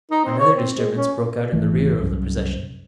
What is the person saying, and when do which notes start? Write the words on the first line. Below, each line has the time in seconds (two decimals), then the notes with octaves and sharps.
Another disturbance broke out in the rear of the procession.
0.11 D#4
0.24 C4
0.39 C#5
0.56 C4
0.77 G#3
0.95 C#4
1.52 G#1 E3 A3
1.98 C2 F#2